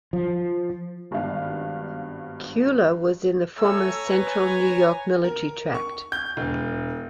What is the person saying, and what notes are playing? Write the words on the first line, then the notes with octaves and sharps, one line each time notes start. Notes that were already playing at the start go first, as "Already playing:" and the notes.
Cuyler was in the former Central New York Military Tract.
F3
G#1 G2 D#3 B3 F5
A3 C#5 G#5 A#5 E6
B4
A#4
C#6
G6
E1